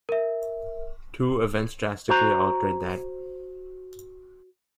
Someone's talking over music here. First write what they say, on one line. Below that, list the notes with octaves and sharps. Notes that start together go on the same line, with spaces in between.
Two events drastically altered that.
A#4 E5
F#4 C5 A#5